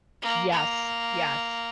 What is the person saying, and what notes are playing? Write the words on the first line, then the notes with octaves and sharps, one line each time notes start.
Yes. Yes.
A#3
A#3